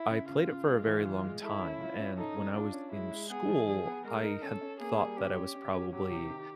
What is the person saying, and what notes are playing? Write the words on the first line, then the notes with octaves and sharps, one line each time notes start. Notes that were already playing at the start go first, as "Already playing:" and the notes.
I played it for a very long time, and when I was in school, I had thought that I was probably,
Already playing: E4
C#3
C#3 F4
C#3
G#3
E3
E3
G#3
E4 A4
C#4
F4
C#4
D#4 A4
C#4
D4 F4
C#4
G#3 E4
G#3
B3 G#4
F3
F3
B3
G#3 A#4
D#4
C#4 A4
C#4
A#3 G#4
G3
C#4 G4
C#4
C#4
C#4
F#3 G4
C3
D#3